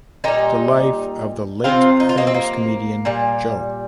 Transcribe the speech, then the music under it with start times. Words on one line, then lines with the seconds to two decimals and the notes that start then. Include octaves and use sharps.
The Life of the Late Famous Comedian, Jo.
0.24 A#2 G3 D#4 G4
1.64 C3 F3 C4 F4
2.00 D#4
2.09 F4
2.18 A#3 D#4
2.27 C4
2.34 A#3
3.05 A#2 G3